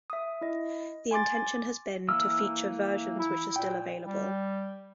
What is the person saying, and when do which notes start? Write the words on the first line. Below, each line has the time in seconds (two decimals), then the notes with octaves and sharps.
The intention has been to feature versions which are still available.
0.10 E5 D#6
0.41 E4 D#5
1.11 G#5 C6 D6 A6
2.08 E3 A#3 E6 F6
3.19 E4
3.56 A#2 G5
4.05 G3